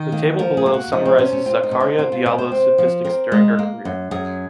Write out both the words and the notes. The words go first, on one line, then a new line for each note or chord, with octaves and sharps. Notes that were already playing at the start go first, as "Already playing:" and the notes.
The table below summarizes Zakaria Diallo’s statistics during his career.
Already playing: D#3
A#3
F3 A#4
G#4
A#3
F#4
F3 D#4
C4
C3 C#4
C#4
C4 F4
D#4
C3
D#4
C4 F4
F4
C3 D#5
C5
C4
F3
C4 A#4
G#3
A#3
F#2
F#2 G#4